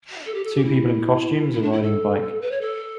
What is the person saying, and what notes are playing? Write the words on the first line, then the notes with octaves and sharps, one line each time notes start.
Two people in costumes are riding a bike.
A4
G4
A4
G4
E4
E4
D4
E4
A4
B4
C#5
A4